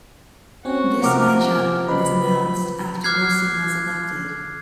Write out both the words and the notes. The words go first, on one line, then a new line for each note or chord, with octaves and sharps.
This matchup was announced after Wilson was elected.
C4 C#4 F#4 C#5
C3 F3 A#4 F#5 D6 F6
C#3 B4 D#5 B5
D6 F6 F#6 G#6 C7